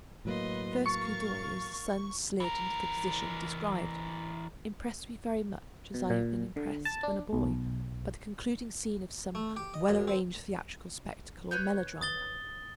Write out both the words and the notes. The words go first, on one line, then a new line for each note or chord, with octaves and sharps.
The first coup d'oeil, as the sun slid into the position described, impressed me very much as I have been impressed, when a boy, by the concluding scene of some well-arranged theatrical spectacle or melodrama.
A2 F#3 A#3 B4 D#5 C6
A#4 F5 C#6 A6
E3 A#4
B2
A#2
D3
A5
D4
B1
A3
G4
D#5
F#2
C4
B4 C#5 G6
D#6 A6 G7